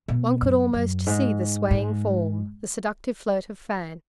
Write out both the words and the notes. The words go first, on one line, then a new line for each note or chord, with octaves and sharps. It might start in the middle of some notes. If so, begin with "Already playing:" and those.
One could almost see the swaying form, the seductive flirt of fan.
B2
F#2
F#2
G#2
G#2